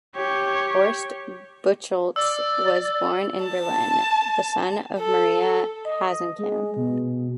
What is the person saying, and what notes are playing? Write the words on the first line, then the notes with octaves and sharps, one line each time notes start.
Horst Buchholz was born in Berlin, the son of Maria Hasenkamp.
G4 C#5
D5 E6
A5
A4
D#5
G#3
B2